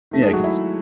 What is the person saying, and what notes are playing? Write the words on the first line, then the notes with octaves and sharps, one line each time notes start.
Yeah, 'cause
D#3 A3
G#3 G#4
F#3 F#4
E4